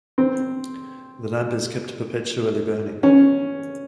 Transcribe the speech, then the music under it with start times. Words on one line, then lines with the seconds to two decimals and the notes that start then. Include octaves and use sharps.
The lamp is kept perpetually burning.
0.18 C4
3.03 C#4